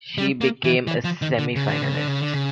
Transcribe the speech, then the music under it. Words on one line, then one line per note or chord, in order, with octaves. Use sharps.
She became a semi-finalist.
G3
A#3
E3
E3
F3
D#3
D3
C#3
D3
C#3
D3
C#3
D3
C#3